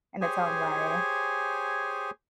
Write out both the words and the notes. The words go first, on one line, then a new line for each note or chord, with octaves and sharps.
in its own way.
G4 G#4 C5 C#5 G#5